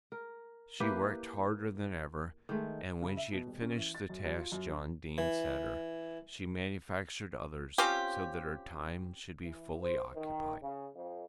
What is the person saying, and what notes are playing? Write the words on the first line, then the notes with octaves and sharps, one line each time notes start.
She worked harder than ever and, when she had finished the tasks John Dene set her, she manufactured others so that her time should be fully occupied.
A#4
A#3 E4 G4 B4
D#3 G#3 A3
C#3
E5
B2
D#1
C#4
E3
A6
F#2
F#2
F4
F#2
D4
E3
C4 C#4 F4 G4
E3
C5
D#3
C#3
F2